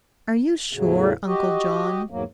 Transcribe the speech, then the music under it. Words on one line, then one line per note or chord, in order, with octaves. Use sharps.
"Are you sure, Uncle John?"
E2 A2 C#3 F#3
F#4 G4 D#5
E2 G#2 F#3 A#3